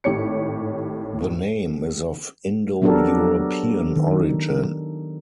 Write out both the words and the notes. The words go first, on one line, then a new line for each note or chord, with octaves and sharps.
The name is of Indo-European origin.
G#1 A2 G4 C#5 C#7
F#3 B3 D4 G4 A4 A#4
D#3